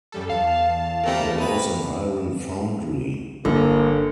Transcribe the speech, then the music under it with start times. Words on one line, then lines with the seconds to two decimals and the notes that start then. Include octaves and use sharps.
There was an iron foundry.
0.12 F#2 G3 A4
0.30 E2 F5 A5
1.03 G3 A3 A#3 C4 A#4
1.38 A3 A#3 B4 D#5
3.45 G1 D3 A#3